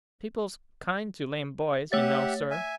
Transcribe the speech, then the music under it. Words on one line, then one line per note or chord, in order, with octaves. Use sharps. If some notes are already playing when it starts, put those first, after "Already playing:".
People's kind to lame boys, you know, sir.
A3 G4 C#5 E5 F#5 A6
E5 G#5